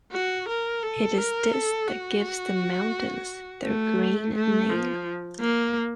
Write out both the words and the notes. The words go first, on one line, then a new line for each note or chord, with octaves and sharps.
It is this that gives the mountains their "green" name.
F#4
A#4
A4
A#4
A4
F#4
A3
A3
F3
A#3